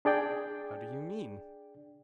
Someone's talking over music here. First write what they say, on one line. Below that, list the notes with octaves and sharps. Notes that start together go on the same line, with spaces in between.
How do you mean?
D4 G#4 D5 G5